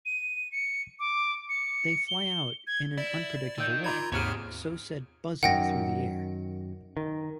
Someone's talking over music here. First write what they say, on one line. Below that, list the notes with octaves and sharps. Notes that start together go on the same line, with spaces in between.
They fly out in an unpredictable way; so-said buzzing through the air.
D#7
C#7
D6
C#7
G7
G#6
E4 D5
D#3 E6 G6
F4 D5 A#5 B5 D6 G#6
D#2 G#2 C3 G#4 B4 C#5 F6
F#2 D#3 F#5 G5 A#6
D#3